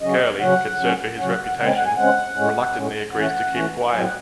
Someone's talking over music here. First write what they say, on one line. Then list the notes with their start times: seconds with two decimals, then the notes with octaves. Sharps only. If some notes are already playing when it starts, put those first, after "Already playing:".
Curley, concerned for his reputation, reluctantly agrees to keep quiet.
0.01 C#3 F#3 C#4 D#5
0.40 C#3 F#3 C#4 F#5
0.79 C#3 F#3 C#4
1.18 C#3 F#3 C#4 F#5
1.31 F#5
1.44 F#5
1.58 C#3 G#3 C4 F#5
1.67 G#5
1.76 F#5
1.87 G#5
1.96 C#3 G#3 C4 F#5
2.36 A2 G#3 C#4
2.75 A2 G#3 C#4
3.13 E3 A3 C#4 F#5
3.52 E3 A3 C#4
3.92 A2 F#3 C4 G#5
4.03 F#5